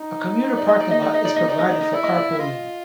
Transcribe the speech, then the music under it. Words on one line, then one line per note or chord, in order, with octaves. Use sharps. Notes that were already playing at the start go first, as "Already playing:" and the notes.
A commuter parking lot is provided for carpooling.
Already playing: D#4
D5
D#5
D5
D#5
D5
D#5
D5
D#5
D#4 D5
D#5
D5
D#5
E4 D5
D#5
D5
E5
F4 D#5